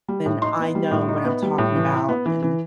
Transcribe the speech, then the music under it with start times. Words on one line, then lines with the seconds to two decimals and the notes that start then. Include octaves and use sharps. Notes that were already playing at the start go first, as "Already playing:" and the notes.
then I know what I'm talking about, and
0.08 G3
0.26 A2
0.42 D#4 C6
0.59 B3
0.75 G3
0.91 A2
1.08 D#4
1.25 B3
1.42 G3
1.58 A2
1.75 E3
1.92 E4
2.09 B3
2.26 E3
2.43 E3